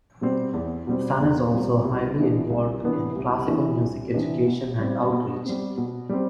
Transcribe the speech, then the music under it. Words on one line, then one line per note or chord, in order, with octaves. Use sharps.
Sun is also highly involved in classical music education and outreach.
B2 G3 C4
E2
B2 G3 C4
E2
B2 G3 C4
C2
C3 E3 B3 D4
C2
C3 E3 B3 D4
C2
C3 E3 B3 D4
C2
C3 E3 B3 D4
B2
G3 C4
B2
G3 C4
B2
G3 C4